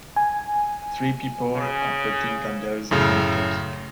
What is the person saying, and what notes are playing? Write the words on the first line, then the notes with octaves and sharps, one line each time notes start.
Three people are putting candles on a cake.
G#5
C#3
F#2 A2 C#3